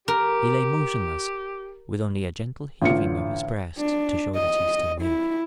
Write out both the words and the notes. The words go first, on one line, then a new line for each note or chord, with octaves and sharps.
He lay motionless, with only a gentle heaving of his breast to show that he still lived.
G4 A#4
A1 D3 F4 C#7
D4
D#5
E4